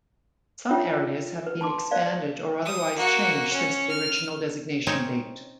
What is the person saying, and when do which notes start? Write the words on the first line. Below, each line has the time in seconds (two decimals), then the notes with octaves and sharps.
Some areas have been expanded or otherwise changed since the original designation date.
0.71 D#4 F4 C#5 E5 G5
1.46 B4
1.61 A5 C6 D6
1.91 C5 D5 F5
2.65 D#6
2.97 A#3 F#4
3.53 C#4
3.90 F6
4.87 C4 C#4 D#4 C#5